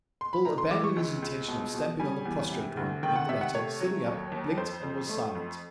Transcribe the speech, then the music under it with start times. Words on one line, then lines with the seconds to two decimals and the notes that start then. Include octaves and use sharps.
Bill abandoned his intention of stamping on the prostrate one, and the latter, sitting up, blinked and was silent.
0.21 C6
0.33 B5
0.45 A2 A#5
0.58 C6
0.71 E3 D6
0.84 C#6
0.96 C#2
1.22 C#2
1.48 B2
1.74 B2
2.00 G3 G#5
2.25 E2
2.51 C3
2.77 D2
3.03 D#3 G5
3.16 F#5
3.29 C3 E5
3.41 F#5
3.54 A3 C#5
3.80 F#3
4.07 D#2
4.32 D#2
4.57 F2 C5
4.83 F2
5.09 A3
5.35 F2